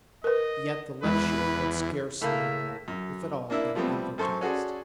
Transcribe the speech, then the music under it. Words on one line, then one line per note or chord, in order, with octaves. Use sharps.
Yet the lecture had scarcely, if at all, been advertised.
A#4 B4 D#5
E2 G#3 B4
A2 C#3 A3 A#3 E5
F#2
A#3 D4 E4 E5
F3 G3 A3 B3 C4
F#2 A4 C5 C6 C#6
C#4 F#4 G#4 A4 D5